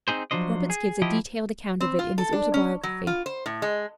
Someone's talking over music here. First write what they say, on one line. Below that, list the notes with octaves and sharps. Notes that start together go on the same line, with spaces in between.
Roberts gives a detailed account of it in his autobiography.
C4 C#4 D#4 G#4 C5
F3 F#3 D4 C5 D#5
G#4
F3 E4 G4 D#5
C4
F4
A4
D4
C#4
F#3
F4
C5
A2
G#3